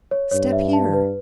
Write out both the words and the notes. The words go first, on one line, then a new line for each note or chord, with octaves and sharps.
Step here!
C#5
G2 C#5
E5
A5
B4